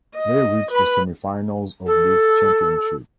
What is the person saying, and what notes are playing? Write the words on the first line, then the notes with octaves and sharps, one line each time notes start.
They reach the semi-finals of this championship.
D#5
B4 B5
A4